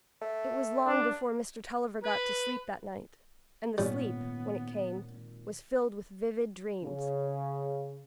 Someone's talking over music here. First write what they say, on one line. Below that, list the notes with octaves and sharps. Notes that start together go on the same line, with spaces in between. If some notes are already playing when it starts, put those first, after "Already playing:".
It was long before Mr. Tulliver got to sleep that night; and the sleep, when it came, was filled with vivid dreams.
A3
G2 D4
B4
G#1 A#2 D#3 G3 B3 C#4
C#3